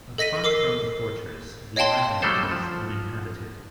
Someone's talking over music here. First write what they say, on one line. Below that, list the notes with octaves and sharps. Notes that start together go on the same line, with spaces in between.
Apart from the fortress, the island is uninhabited.
A4 D#5 A#6 B6 D#7
A#4 D6 E6 C7
C#5 D#5 F5 G5 A5 C6
D3 F#3 G3 A3 A4 C5
F3